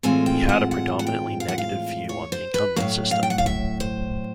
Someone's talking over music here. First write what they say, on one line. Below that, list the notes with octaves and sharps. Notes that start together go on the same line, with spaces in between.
He had a predominantly negative view on the incumbent system.
A2 E3 G#3 C4 F4 G#5
G5
F#5
F#5
F#5
G5
F5
F#5
F5
C#5
C5
B4
A2 F#3 A#3 F5
F5
G5
F#5
F5
E5
C5